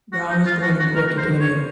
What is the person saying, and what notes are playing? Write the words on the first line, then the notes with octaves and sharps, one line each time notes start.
Brown was born in Port Antonio.
F#4
D#4
F4
F#4
F#4
A#4
C5
C#5